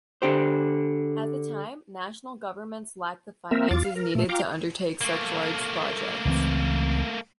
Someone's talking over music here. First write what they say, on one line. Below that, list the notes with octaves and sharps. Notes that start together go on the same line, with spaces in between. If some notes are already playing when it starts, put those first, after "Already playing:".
At the time, national governments lacked the finances needed to undertake such large projects.
D3 G4 C5
A#3 C4 A#4 E5
E2 F4 D6 A6
F5
A#4
A#2 A3
F4 F5 G5 A#5 D6
A3 A#3
C#2 E3 C4